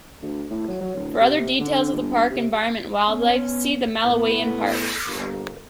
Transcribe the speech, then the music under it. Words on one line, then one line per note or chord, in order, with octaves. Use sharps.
For other details of the park environment and wildlife, see the Malawian park.
D2
A2
F#3
F#3
D1
C3
D3
G1
C3
B3 C#4
A2 B3
G1 A#3